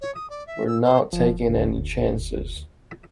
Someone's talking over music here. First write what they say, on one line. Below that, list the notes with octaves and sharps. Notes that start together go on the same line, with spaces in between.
We're not taking any chances.
C#5
D#6
D5
E5
E6
C5
F1 F3
D2